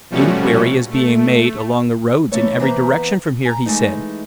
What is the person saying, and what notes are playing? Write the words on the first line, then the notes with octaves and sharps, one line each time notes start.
"Inquiry is being made along the roads in every direction from here," he said.
B2 F3 G3 A3 C#4 F#4
A3
E3 A3 C#4 D#4 E4 C#5
E3 A#3 B3 C5 A#5
G#5 A#5
E3 G#3 A3 D#4